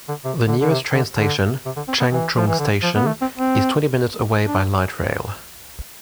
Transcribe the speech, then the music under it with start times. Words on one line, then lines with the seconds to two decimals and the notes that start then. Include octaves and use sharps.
The nearest train station, Changchun Station, is twenty minutes away by light rail.
0.09 D3
0.25 C3
0.48 D3
0.60 D3
0.70 C3
0.94 D3
1.18 D3
1.66 C3
1.76 D3
1.88 C4
2.00 B3
2.11 E3
2.36 F3
2.47 E3
2.59 D3
2.82 F3
2.95 B3
3.06 A3
3.21 C4
3.37 C4
4.46 D4